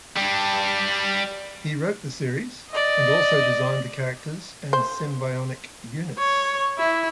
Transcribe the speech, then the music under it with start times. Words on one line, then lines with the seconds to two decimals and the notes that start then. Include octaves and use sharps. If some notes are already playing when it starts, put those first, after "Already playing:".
He wrote the series and also designed the characters and Sym-Bionic Units.
0.17 G3 D4
2.70 D5 D#5
4.73 C5
6.19 C#5
6.78 E4